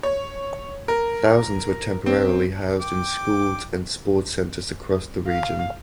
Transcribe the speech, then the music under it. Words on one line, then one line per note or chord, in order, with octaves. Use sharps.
Thousands were temporarily housed in schools and sport centres across the region.
C#5
A#4
C4
G5 D6
F5